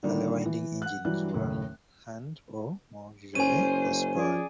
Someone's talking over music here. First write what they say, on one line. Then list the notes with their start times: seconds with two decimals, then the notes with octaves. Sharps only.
Early winding engines were hand, or more usually horse powered.
0.03 D3 D#3 G3 A#3
0.46 E3
0.82 F#5 F#6
1.05 E3 F#3 G3 F#6
1.34 F#1 D#2 A2
3.35 F#1 C#4 C5 G#5 D#7
4.16 F3 G#4 D5